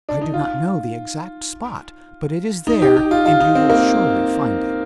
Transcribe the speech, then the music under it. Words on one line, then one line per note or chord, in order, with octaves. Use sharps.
I do not know the exact spot, but it is there, and you will surely find it.
D4
D#4
F4
D#4
G4
G4
F4
F4
D#4
C4
A#3